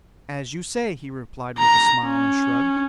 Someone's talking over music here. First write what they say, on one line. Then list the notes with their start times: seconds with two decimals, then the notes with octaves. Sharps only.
"As you say," he replied with a smile and shrug.
1.59 A#5
2.06 C#4